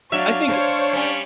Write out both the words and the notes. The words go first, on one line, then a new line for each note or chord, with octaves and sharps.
I think,
F#3 D4 E5 F5 C#6
D4 C5 C#5
G3 C#4